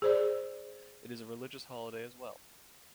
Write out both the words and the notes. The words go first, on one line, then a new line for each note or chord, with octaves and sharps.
It is a religious holiday as well.
G#4 C5 D5